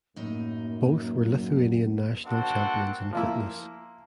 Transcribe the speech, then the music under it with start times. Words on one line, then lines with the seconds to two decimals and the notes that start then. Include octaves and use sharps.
Both were Lithuanian National Champions in Fitness.
0.16 F#2 A2 A#3 D#4
2.26 A#3 C4 D4 F#4 A4 F#5
3.13 F3 A#3 E4